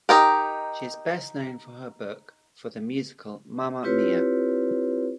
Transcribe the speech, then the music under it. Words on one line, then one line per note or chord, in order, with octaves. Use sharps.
She is best known for her book for the musical Mamma Mia!
D#4 G4 A#4
C4 E4 F4 G4 B4 C#5